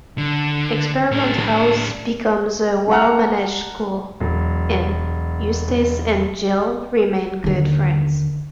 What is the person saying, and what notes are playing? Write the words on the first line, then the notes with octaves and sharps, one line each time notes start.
Experiment House becomes a well-managed school, and Eustace and Jill remain good friends.
D3
A2 D4
F#5 A5 A#5 F6
E1 F#3
D#2 D3